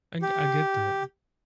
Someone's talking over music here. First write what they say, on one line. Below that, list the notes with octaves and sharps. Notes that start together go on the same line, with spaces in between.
I I get that.
G4